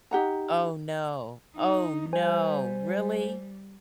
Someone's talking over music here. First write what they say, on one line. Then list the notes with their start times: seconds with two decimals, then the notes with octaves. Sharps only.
Oh, no. Oh, no, really?
0.11 D#4 G4 F#5 A#5
1.57 D#4
2.13 G3 C5 G#5